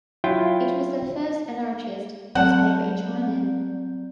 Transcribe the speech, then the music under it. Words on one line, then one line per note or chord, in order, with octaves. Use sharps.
It was the first anarchist newspaper in China.
F#3 E4 F4 G5
F#3 C4 D5 F#5 A5 G6